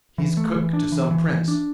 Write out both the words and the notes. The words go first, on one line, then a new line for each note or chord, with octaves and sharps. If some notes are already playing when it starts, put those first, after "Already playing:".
"He's cook to some prince."
E3
A3
E3
D4
E3
E3
E3
D4